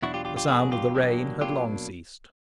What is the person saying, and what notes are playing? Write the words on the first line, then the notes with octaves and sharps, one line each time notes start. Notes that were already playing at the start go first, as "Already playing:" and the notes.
The sound of the rain had long ceased.
E2 B2 F#3 A#3 D4 E4 F#4
F4 G4
F4 G4
F4 G4
E2 B2 F#3 A#3 D4 F#4 G#4
F4 G4
E2 B2 F#3 A#3 D4
B2 F#3 A#3 D4 F4 G4